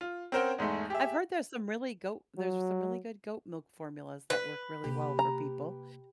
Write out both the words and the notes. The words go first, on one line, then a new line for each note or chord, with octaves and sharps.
I've heard there's some really goat there's some really good goat milk formulas that work really well for people,
F4
C4 C#4 A#4 C5 F#5 G5
E2 G#2 G#3 A3
G4 G#4 E5
F#3
B4
C3 A#3 G4
A#5